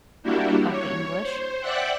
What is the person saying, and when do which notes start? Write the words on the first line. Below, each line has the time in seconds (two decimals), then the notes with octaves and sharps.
of the English.
0.23 G3 A#3 D4 E4 F#4 G4
0.69 C#5
1.22 C5
1.61 D5 E5 F#5 G5 F#6